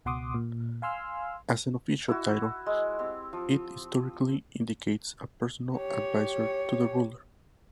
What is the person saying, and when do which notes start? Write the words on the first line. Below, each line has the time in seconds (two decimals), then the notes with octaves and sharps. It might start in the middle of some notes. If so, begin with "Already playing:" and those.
As an official title, it historically indicates a personal advisor to the ruler.
0.05 C#2 B2 F#5 C6 D6 D#6
0.35 A#2
0.82 F5 G#5 C6 E6 F6
2.08 E4 F#4
2.66 G#3
2.99 C4 G4
3.33 F3
5.75 G4 C#5